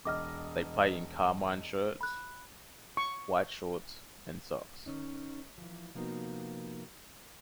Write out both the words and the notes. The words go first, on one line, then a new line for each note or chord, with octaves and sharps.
They play in carmine shirts, white shorts and socks.
E1 D#5 D6 F6
B5 F#6
C#6
D#3 C#4 D#4
E3 F3
C3 F3 A#3 B3 D#4 F#4